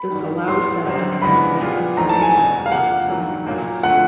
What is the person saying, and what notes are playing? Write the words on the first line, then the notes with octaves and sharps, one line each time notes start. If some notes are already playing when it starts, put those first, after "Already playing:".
This allows them to transmit information about contrast.
Already playing: B5
G#1 G2 D#3
A2 F#3 B3 C6
G#1 F#2 D3 G3 C4
C#3 E3 G#3 B3 D4 B5
A#2 G3 B3 D4 F4
A#1 G#2 E3 A3 C4 A#5
A5
G#5
E1 E2 B2 G#3
F5
C3 F3 A#3 D4 G4 F#5
G2 D#3 F#3 A#3
A#2 F#3 A#3
D3 F3 A3 F#5